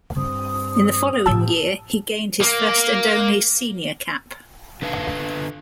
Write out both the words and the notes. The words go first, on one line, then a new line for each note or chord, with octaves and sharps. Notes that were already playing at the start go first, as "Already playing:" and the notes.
In the following year, he gained his first and only senior cap.
G2 C4 D#6
A2 F3 D#4 G4 A5 E6 G#6
A#3
D3 B4 F5 A5